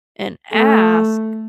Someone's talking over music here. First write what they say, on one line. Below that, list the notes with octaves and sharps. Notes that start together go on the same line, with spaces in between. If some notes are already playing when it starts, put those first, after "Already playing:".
and ask,
A3